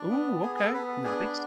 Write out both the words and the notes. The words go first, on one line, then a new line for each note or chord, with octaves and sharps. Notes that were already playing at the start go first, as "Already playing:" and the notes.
Ooh, okay, nice.
Already playing: D4
B3
G#4
G#4
A4
B3 B4
D4 G#4